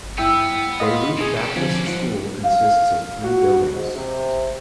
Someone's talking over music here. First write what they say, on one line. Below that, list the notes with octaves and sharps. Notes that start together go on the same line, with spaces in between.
Beirut Baptist School consists of three buildings.
G2 B3 E4 G5 E6
D#5 F5 C6
B2 E3 C#4 G#4
G4 A4
D3 F3 C4 C#4 D5
G#2 F3 D#4 C5 F#5
F5
F#4
G#2
C3